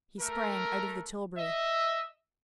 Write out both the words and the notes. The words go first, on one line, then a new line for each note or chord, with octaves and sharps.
He sprang out of the tilbury.
A3 A#4
D#5 E5